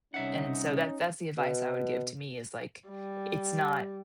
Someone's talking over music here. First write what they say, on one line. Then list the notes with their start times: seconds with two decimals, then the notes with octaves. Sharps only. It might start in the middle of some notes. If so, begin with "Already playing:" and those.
and so that that's the advice I would give to me is, like, "It's not"
0.14 C2 C#4 D#4 E5 F#5
1.37 B2
2.89 G3